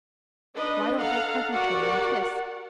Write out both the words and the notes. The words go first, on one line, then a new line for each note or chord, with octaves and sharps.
Why don't they hug each other and kiss?
D4 D#4 B4 D#5
A4 F5 F#5 A#5
F#4 G4 A#4 D5 F#5